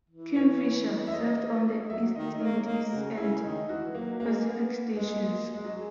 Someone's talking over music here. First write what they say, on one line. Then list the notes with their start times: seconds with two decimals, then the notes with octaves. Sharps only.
"Kingfisher" served on the East Indies and Pacific Stations.
0.10 E3
0.36 C#5
1.07 E5
1.12 D#5
1.90 F#3 E5
2.15 D#3 D#5
2.41 A#3 C#5
2.66 A#3 D#4
2.92 C#3 F#4
3.17 C#3 E4
3.43 D#3 D#4
3.68 E3 F#4
3.94 F#3 A#3
4.20 G#3 A#3
4.46 B3
4.71 B3
4.97 G#3 A#3
5.16 G#3
5.54 G#3
5.64 F#3
5.74 G#3